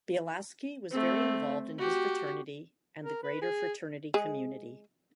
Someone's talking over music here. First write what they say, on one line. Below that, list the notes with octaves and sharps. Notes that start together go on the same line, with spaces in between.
Bielaski was very involved in his fraternity and the greater fraternity community.
A3 C4
F#4 G4
A#4
B4
G#4
G#3 G#4